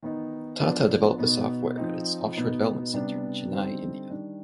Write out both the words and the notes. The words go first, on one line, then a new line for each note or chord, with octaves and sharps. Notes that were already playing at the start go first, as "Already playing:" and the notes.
Tata developed the software at its offshore development center in Chennai, India.
D#3 B3 D#4
F3 B3 D4
B2 B3 D#4
F3 C4 D#4
B2 B3 D#4
C3 G3 B3 D4
D3 G3 C4 D#4
D#3 G3 D4